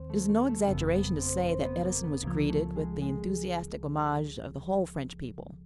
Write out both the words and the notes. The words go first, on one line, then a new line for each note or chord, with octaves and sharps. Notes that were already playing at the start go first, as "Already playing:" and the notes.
It is no exaggeration to say that Edison was greeted with the enthusiastic homage of the whole French people.
Already playing: D#2 D#3 C4
A3
A3
A3
G1 F2 C#3 B3
B3
C4
C4
B3
A#3
B3
C#2 C#3 F3 A#3
A3
G#3
G#3